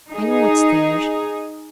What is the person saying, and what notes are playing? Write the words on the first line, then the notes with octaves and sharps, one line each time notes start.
I know what's there.
D#4 G#4